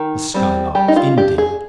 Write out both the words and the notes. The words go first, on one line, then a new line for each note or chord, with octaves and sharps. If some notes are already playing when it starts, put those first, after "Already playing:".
The Skylarks, indeed!
Already playing: D#3
G3 C4
G3 G4
D#4
F4
D4 G4
G#4